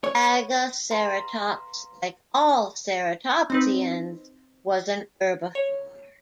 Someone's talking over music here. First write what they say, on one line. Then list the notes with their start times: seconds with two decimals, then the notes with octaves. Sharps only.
"Bagaceratops", like all ceratopsians, was a herbivore.
0.04 C#5
0.90 B4 F5 A#5 C6
3.50 C4 D#4 B4
5.55 C#5